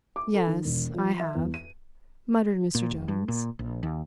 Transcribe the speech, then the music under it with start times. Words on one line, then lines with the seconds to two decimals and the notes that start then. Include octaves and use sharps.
"Yes, I have," muttered Mr. Jones.
0.16 D6
0.34 A4
0.47 D#3
0.64 E1
0.94 F3
1.20 E5
1.35 E2
1.54 D#7
2.75 A#2
2.91 F1
3.08 G2
3.28 A#2
3.59 A#1
3.83 D#2